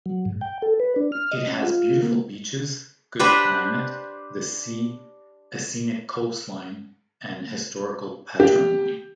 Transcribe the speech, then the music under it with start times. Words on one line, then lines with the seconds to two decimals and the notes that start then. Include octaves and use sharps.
It has beautiful beaches, good climate, the sea, a scenic coastline, and historical patrimony.
0.06 F#3
0.25 G#2
0.41 G5
0.62 A4
0.80 B4
0.96 D4
1.12 F6
1.31 D#5
1.47 C#4
1.63 F4
2.03 A#3
3.19 D4 G4 B4 C5
8.40 G4